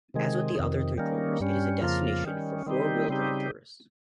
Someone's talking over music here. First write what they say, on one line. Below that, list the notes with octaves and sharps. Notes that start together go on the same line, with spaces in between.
As with the other three corners it is a destination for four-wheel-drive tourists.
C3 D#3 G#3
F2 C3 D#3
D#3 G3 A#3 C#4
G2 G3 C#4
F2 C#3 F3 A#3 F4
D#3 G3 C#4
D#3 G3 C4 D#4 G4
C#3 G3 C4 D#4 G4